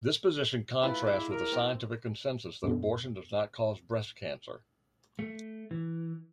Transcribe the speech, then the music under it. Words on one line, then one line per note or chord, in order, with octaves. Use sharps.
This position contrasts with the scientific consensus that abortion does "not" cause breast cancer.
A3 E4 F4 B4
G#3 E4 D6
A#4
C4 A4
F#2 B2 D3
A3
E3